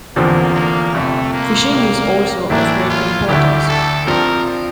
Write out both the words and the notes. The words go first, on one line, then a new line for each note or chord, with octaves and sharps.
Fishing is also of great importance.
F1 E2 D3 F3 A#3 C4
A#3
G1 F2 C3 A3
A#3
C2 C3 G3
A2 E3 A#3 D4 E4
F4
D2 D3 A3 E4 G4
A4
G2 F3 C4 A#4